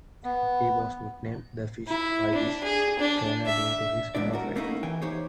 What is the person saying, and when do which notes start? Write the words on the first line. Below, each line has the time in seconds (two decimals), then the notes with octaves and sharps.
He was nicknamed "The Fish" by his trainer due to his narrow frame.
0.24 B3
1.88 E4
2.33 D4
2.64 G#4
2.99 D4
3.46 E5
4.15 F#2 G#3 D4 E4 D5
4.33 F#4 A#4
4.56 A3 A#3 C#4 D#4 E4
4.83 E3 G5 G#5
5.02 D#4 G4 C5 C#5